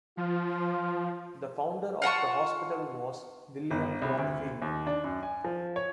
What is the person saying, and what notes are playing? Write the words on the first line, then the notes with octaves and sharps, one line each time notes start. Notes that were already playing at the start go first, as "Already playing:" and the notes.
The founder of the hospital was William Bromfeild.
F3 F4
F4 F#5 A5 C#6
G1
C2
D2
D#2
D4
F#2
G#5
F3
C#5